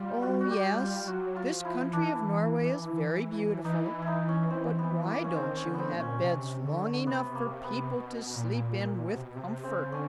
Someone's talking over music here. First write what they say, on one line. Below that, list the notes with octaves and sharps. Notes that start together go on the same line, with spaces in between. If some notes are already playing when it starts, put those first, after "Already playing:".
"O yes, this country of Norway is very beautiful, but why don't you have beds long enough for people to sleep in with comfort."
Already playing: G3 F4
F#4
F#4
G4
F4
F#3 F#4
F4
F3
E4
E3 D4
E3 D#4
E4
D#4 E4
C#4
C4
B3
A#3
C#4
D#3 C4
C#4
D3
B3 C4
A#2
C#4
C3
D3
C3 B3
A#3
C3
B3
B2
A#2
A#2
B2
C3
B2
C3
C#3 C4
D3 C#4